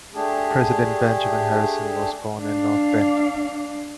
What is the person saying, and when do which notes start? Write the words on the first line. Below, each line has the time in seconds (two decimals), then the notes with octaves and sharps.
President Benjamin Harrison was born in North Bend.
0.14 A3 D4 G4 G#4
2.39 D4 F5